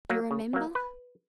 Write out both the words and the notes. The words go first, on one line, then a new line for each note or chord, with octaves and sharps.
"Do you remember?"
F#3 A#3
C#3
F#3 A#3
B4